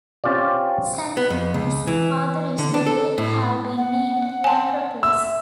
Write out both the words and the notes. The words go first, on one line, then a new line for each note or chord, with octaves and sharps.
Xanthippe's father is believed to have been named Lamprocles.
C4 C#4 F4 G4 D5
B3
F2
C#2
E3
D3
D4
A4
A2
F#5
G#5 A5
E5 E6